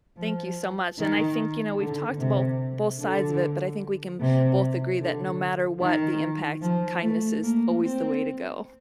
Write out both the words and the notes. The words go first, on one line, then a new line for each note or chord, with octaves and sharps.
Thank you so much, and I think, you know, we've talked abolt both sides of it, but I think we can both agree that no matter what the impact, kindness is always the way to go
F3
D#3
D3
C3
D3
C3
D3
D#3
F3
A3
A#3
C4